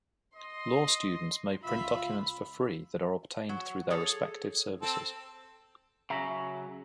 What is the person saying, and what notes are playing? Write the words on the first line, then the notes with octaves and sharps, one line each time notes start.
Law students may print documents for free that are obtained through their respective services.
D#5 C6
C#2 F4 E5 B5
F#3
G#4 A4 C#5
C4 A4
C#3 F#3 E5 A#5